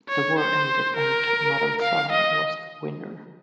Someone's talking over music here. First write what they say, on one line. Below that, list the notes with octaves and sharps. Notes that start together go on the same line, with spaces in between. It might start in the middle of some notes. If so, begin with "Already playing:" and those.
The war ended and Maranzano was the winner.
C#5
C5
A#4
F5
D#5